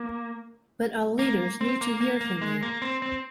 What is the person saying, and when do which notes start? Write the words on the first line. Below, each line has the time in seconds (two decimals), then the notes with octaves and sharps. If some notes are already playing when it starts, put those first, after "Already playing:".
But our leaders need to hear from you.
Already playing: A#3
1.19 A#3
1.61 C4
1.81 A#3
2.01 A#3
2.21 A#3
2.41 G#3
2.63 A#3
2.82 C4
3.02 C4